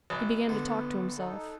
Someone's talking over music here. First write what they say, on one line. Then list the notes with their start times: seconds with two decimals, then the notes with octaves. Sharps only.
He began to talk to himself.
0.10 G#1
0.49 D3 B3
1.17 D#4 A4